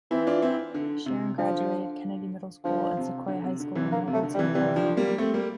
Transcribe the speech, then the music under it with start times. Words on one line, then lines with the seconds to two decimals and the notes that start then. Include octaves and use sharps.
Sharon graduated Kennedy Middle School and Sequoia High School in Redwood City, California.
0.11 E3 C4 E4
0.27 D4 F4
0.42 C4 E4
0.74 D3
1.06 C3
1.38 D3 F3
2.64 D3 F3
2.97 C3
3.28 D3
3.44 C3
3.60 D3
3.75 C3 E3
3.91 D3 A#3
4.08 C3
4.13 A3
4.23 D3
4.34 G3
4.39 C3 E3
4.54 C3 E3 G3
4.76 D3 F3
4.97 G3 A#3
5.18 A3 C4
5.34 G3 A#3